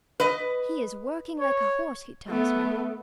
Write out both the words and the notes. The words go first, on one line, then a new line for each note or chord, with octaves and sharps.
He is working like a horse, he tells me.
B4 D#5
C#5
A3 B3